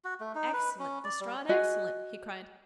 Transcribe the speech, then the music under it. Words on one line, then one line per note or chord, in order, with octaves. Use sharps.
"Excellent, Lestrade, excellent!" he cried.
F#4
A3
D#4
B4
C#4
D5
G3
F#4 G#4 D#5